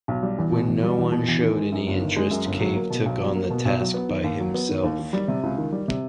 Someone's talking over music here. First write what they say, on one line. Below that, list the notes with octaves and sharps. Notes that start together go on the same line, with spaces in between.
When no one showed any interest, Cave took on the task by himself.
B1
G3
E2
B2
E2
G3
E2
B2
E2
D#3
G#3
F#2
G1
D#3
G#3
F#2
G1
F#3
A#3
B2
B1
F#3
A#3
B2
B1
F#3
B3
D#3
D#2
F#3
B3
D#3
D#2
D#3
G3
C3
C#2
D#3
G3
C3